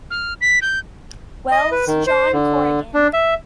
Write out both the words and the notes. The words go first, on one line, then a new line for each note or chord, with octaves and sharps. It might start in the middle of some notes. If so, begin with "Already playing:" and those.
Wells, John Corrigan.
F6
B6
G6
D#5
B4
D#3
C5
D3
D4
E5